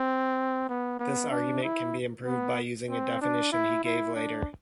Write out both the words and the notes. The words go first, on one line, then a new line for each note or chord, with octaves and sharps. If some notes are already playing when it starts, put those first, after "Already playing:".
This argument can be improved by using a definition he gave later.
Already playing: C4
B3
B3
D4
E4
B3
C4
D4
E4
E4
D4